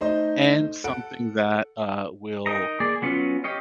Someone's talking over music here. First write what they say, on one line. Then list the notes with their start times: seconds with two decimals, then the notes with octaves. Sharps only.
and something that, uh, will
0.01 A3 D#4 C5 D#5
0.84 A4 F#5 D7
2.46 D#4 A#4 D#5 A#5
2.80 A#3 G#4 D5
3.02 F#3 B3 C#4 F4
3.44 G4 C#5 D#5 F5